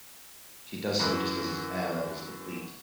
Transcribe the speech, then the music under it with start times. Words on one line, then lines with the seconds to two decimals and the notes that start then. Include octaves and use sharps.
She does so just as his air levels deplete.
0.99 F#2 E3